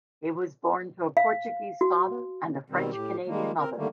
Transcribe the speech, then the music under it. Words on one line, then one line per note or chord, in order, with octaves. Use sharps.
He was born to a Portuguese father and a French-Canadian mother.
F5
F#4
B2 D#3 G3 C4
A2 G4
D#3 G3 G#3 A#3
C4 A#4
D3 D#3 G3 A3 A#3